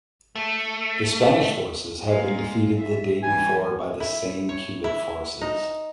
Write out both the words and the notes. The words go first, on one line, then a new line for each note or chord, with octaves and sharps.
The Spanish forces had been defeated the day before by the same Cuban forces.
A3
A#2 G#3 F5
E5
E3 G3 G#5
E4
C#5
E4
D#4